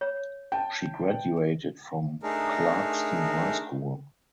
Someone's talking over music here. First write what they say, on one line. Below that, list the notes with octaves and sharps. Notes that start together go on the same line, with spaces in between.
She graduated from Clarkston High School.
C#5
G5 A5
A3 D4 D#4 G#4 A#4